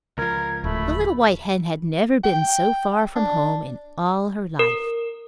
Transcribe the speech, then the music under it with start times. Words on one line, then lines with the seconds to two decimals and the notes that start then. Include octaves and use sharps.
The little white hen had never been so far from home in all her life.
0.18 C#2 F3 A#4 G#6
0.64 D1 A3 B5
2.24 G5
3.15 D4
4.59 A#4